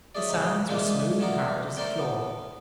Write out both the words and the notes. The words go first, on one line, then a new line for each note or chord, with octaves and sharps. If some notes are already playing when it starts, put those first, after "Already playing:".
The sands were smooth and hard as a floor.
C#4 E4 G#4 D5
A1 C#3 D#4
E3 F3 G#3 A#3 D4 F4
A3 B3 D4 A#4
A3 A#4 C5 D5 G5
B3